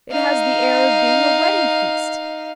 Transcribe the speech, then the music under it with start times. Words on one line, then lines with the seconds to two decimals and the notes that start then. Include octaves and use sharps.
It has the air of being a wedding feast.
0.11 D#4 F5